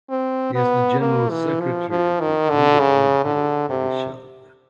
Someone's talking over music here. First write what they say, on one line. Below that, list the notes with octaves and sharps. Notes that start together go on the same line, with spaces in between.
He is the General Secretary of the Bangabandhu Parishad.
C4
B3
A#3
E3
F3
F3
D#3
D3
C#3
D3
C3